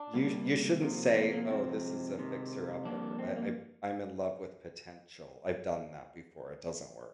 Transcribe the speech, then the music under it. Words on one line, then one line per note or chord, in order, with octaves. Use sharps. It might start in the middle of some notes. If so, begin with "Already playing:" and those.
You you shouldn't say, "Oh, this is a fixer-upper, I I I'm in love with potential." I've done that before. It doesn't work.
Already playing: D4
C3 G3 A#3
C3 F3 A#3
A#3
A#3
C3 F3 G#3 C4
C3 D#3 G#3
F2 D3 G3 A#3 D4
C4
A#3